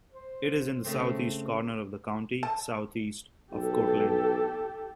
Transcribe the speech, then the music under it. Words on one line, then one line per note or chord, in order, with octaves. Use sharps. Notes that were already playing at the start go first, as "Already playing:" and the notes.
It is in the southeast corner of the county, southeast of Cortland.
C5
C#3 A3 C4 C5
A5
B1 G4 A4